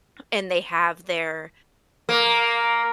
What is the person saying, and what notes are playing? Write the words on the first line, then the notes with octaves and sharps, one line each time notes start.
and they have there
A#3